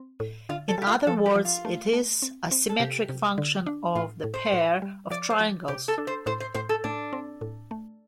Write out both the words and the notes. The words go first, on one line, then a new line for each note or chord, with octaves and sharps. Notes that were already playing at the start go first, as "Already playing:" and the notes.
In other words, it is a symmetric function of the pair of triangles.
Already playing: C4
A2
D3 F4
A4
G3 G4
F4
F3 A4
G4
F3
F4
A3
A3
C4
C4
A4
C3 G4
C3
D3
D4
A2 F4
A2
C5
A2
G3
F3 D5
C5
F3
C3 G4
A4
D4
C5
A2 C5
C5
A2 C5
A4
A2 D4
C4
A2
A3